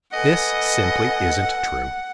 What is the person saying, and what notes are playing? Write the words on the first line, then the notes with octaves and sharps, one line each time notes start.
This simply isn't true.
A4 B4 D#5 F#5 G#5